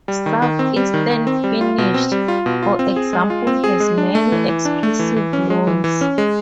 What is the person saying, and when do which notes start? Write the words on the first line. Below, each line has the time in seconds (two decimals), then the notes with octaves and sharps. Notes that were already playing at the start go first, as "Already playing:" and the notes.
South-eastern Finnish, for example, has many expressive loans.
0.08 G3
0.26 D#3
0.42 D#3
0.59 C4
0.76 G3
0.94 D#3
1.10 D#3
1.27 C4
1.44 G3
1.61 F4
1.78 B2
1.94 C4
2.12 G3
2.28 F4
2.46 B2
2.63 F4
2.79 C4
2.96 G#4
3.13 G#3
3.30 F4
3.47 C4
3.64 G#4
3.80 G#3
3.98 D4
4.15 A3
4.32 E3
4.49 E3
4.65 D4
4.83 A3
4.99 E3
5.16 E3
5.33 C#4
5.50 G#3
5.67 E3
5.84 E3
6.01 C#4
6.18 G#3